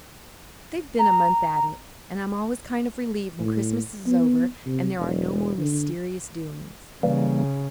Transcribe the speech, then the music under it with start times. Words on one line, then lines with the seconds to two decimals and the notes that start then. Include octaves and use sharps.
They've been a month at it, and I'm always kind of relieved when Christmas is over and there are no more mysterious doings.
0.99 A#5
3.40 A2
4.07 B3
4.66 C3
4.98 E1
5.58 D3
7.03 C#3 E3 G3 A#3